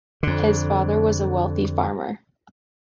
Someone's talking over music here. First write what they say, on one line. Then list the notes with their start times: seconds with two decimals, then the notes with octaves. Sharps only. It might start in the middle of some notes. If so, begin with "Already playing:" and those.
His father was a wealthy farmer.
0.23 F2 D3